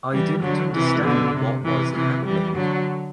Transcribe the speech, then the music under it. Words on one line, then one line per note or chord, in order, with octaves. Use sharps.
I didn’t understand what was happening.
E3 G3
D3 F#3
C3 E3
B2 D3
C3
C3 E3
C3 E3
E3 G3
D3 F#3